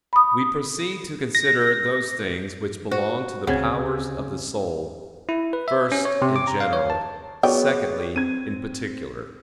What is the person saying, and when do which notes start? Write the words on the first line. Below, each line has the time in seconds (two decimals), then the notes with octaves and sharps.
We proceed to consider those things which belong to the powers of the soul; first, in general, secondly, in particular.
0.13 B5 D#6
1.35 A#6
2.91 F#4 C5
3.47 D2 C#3 C4 D4 C#5 F#5 G#6
5.29 E4
5.53 B4
5.68 E5
5.92 C#4
6.05 C#5
6.22 C3
6.36 D6
6.47 A#5
6.60 F5
6.73 C#5
6.90 A5
7.43 F#3 B3 G#4 C#5 D5 G5
8.16 C4 G#6 D#7